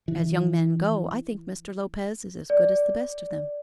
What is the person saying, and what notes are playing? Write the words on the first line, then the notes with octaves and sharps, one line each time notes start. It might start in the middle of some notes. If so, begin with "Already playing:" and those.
As young men go, I think Mr. Lopez is as good as the best of them.
E3
D5